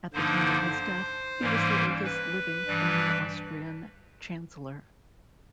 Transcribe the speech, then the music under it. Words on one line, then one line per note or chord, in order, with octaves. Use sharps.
At the time of his death, he was the oldest living former Austrian chancellor.
G2 D3 F3 A#3 D#4 C5
G#2 E3 G3 A#3 C#4
B4
G2 E3 G3